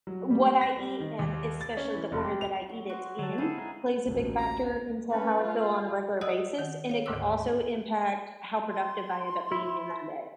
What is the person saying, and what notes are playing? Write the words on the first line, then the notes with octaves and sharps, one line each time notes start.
what I eat and especially the order that I eat it in plays a big factor into how I feel on a regular basis and it could also impact how productive I end up being in that day,
F#3
G3
A#6
G3
D#3
D#2
A6
C#4
E3
F1
G4
F7
F#3
F#4 C6
C#5
D3 F#3 A4
C4 D4 E4 G#4 A4 B4 F5
G#3 G#4 A#5
A1 D2
A#5
C#4 B4
F4
F#4 D5 D#5 F#5 D#6 E6
D#3 F#5
C#5 F5
D2 G#2 D3 D6 E6
C6
E4